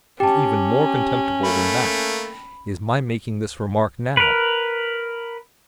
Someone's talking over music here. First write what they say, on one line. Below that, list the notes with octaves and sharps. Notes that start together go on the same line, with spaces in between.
And even more contemptible than that is my making this remark now.
C#4 G4 G5 A5
A3 A#3 B5
A#4 B4